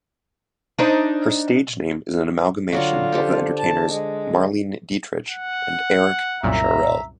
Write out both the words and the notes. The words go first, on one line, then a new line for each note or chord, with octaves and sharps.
Her stage name is an amalgamation of the entertainers Marlene Dietrich and Erik Charell.
D4 D#4 C5
D3 F#3 F4 F#4
G4 A4 C5
A5
G#3
F#5
C2 F#2 A#2 E5 A#5